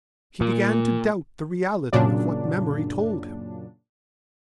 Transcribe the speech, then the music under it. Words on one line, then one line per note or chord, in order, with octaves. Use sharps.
He began to doubt the reality of what memory told him.
A#2
F#2 A#2 C#3 F#3 D4